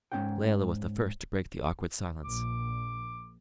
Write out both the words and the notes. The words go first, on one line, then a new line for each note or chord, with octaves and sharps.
Layelah was the first to break the awkward silence.
G#2 G#3 C#4 F#5 G5
A#1 D6